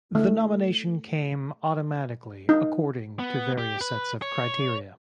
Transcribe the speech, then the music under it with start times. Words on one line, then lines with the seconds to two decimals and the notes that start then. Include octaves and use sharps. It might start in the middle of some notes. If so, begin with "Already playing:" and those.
The nomination came automatically according to various sets of criteria.
0.15 A3
2.49 D#4
3.19 B3
3.59 G4
3.81 B4
4.22 C#5